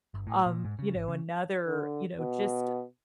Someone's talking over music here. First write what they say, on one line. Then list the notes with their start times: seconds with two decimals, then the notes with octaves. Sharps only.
um, you know, another, you know, just
0.14 G1
0.27 A2
0.46 A#2
0.64 G#2
0.79 C#3
0.95 G#1
1.08 C#3
1.66 D3
2.19 B2